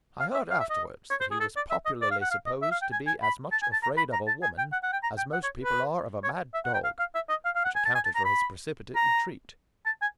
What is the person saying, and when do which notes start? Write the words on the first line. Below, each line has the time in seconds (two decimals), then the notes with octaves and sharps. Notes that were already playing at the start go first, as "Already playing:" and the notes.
I heard afterwards that he was popularly supposed to be as much afraid of a woman as most people are of a mad dog, which accounted for his precipitate retreat.
0.20 F5
0.35 E5
0.50 F5
0.60 E5
0.70 D#5
1.10 C#5
1.21 C5
1.31 G#4
1.40 A4
1.57 D5
1.71 E5
1.86 D#5
2.02 D5
2.11 F5
2.22 F#5
2.31 F5
2.46 D#5
2.62 E5
2.72 F5
2.82 G5
2.93 G#5
3.07 G#5
3.23 B5
3.52 A5
3.63 G#5
3.73 A5
3.83 A#5
3.97 B5
4.13 A#5
4.28 A5
4.43 G#5
4.58 G5
4.73 F#5
4.83 F#5
4.93 G5
5.03 A#5
5.18 G5
5.33 F#5
5.44 C#5
5.64 B4
6.24 C#5
6.54 E5
6.65 F#5
6.74 G5
6.84 F5
6.99 F5
7.15 E5
7.30 D#5
7.45 F5
7.56 F5
7.65 F#5
7.76 G#5
7.86 A5
7.95 G#5
8.05 A5
8.15 A#5
8.25 B5
8.95 A#5
9.86 A5
10.02 G#5